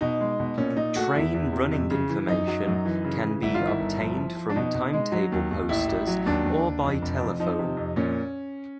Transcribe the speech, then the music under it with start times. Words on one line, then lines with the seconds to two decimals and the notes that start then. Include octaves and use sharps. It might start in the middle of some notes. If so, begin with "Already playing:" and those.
Train running information can be obtained from timetable posters or by telephone.
0.01 B2 D#4
0.21 G#3
0.40 B2
0.58 A#2 C#4
0.76 A#2 D#4
0.95 A3 F#4
1.15 E2 E4
1.34 E2
1.52 C3
1.71 F2
1.90 C#3
2.10 E3
2.28 F#2 D#4
2.47 F#3
2.67 F#2
2.85 E3
3.04 C#3
3.23 E3
3.42 G1 E4
3.55 F4
3.60 D#3
3.67 E4
3.80 G1
3.99 F3
4.17 F3
4.36 F3
4.49 D4
4.56 B2 D#4
4.75 B2
4.93 G#3
5.12 F#3
5.32 D#2
5.51 D#2
5.69 A1 E4
5.88 A1
6.07 F#3
6.26 D#2 D4
6.45 D#2
6.64 D#2
6.83 F2
7.02 F1
7.21 F2
7.40 F3 D#4
7.59 C3
7.77 F2
7.96 A#2 C#4